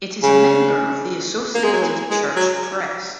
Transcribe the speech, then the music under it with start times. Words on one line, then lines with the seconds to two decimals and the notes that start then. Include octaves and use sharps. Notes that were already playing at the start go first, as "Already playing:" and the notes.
It is a member of the Associated Church Press.
0.23 C#3
1.55 A#3
1.64 G#3
1.73 F#3
1.83 E3
2.10 G#3
2.36 F#3